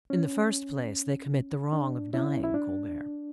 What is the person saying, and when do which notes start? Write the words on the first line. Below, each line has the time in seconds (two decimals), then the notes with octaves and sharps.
"In the first place, they commit the wrong of dying, Colbert."
0.10 C#4
1.73 D4
2.14 C#4 E4
2.44 E4
2.54 D4